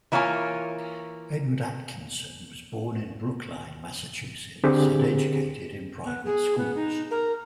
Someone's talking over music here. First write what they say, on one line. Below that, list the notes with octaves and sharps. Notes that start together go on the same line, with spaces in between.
Edward Atkinson was born in Brookline, Massachusetts and educated in private schools.
E3 A#3 F4 C#5 G#5
D3 C4 G4 G#4
B3
G#4
B3
D#4
A#4